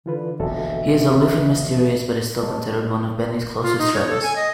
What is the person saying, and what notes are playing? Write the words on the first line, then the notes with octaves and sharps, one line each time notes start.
He is aloof and mysterious but is still considered one of Benny's closest friends.
D3 E3 F4 B4
E1 A#1 D3 F#4 A4 E5
G#3 C#5 A5
F4
D#4
C#5
A4
G#5
D#5